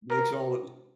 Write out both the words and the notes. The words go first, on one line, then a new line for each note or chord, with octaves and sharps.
makes all of the
A#4